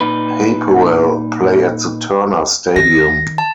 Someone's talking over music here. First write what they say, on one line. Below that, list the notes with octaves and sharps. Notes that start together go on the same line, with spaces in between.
Hapoel play at the Turner Stadium.
A#2 D#4 B4
D#3 A#6
A5